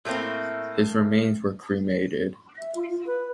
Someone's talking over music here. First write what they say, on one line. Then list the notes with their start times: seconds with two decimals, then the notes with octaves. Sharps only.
His remains were cremated.
0.05 A2 A3 A#3 C4 E4
2.58 E5
2.74 F4
2.90 F4
3.06 B4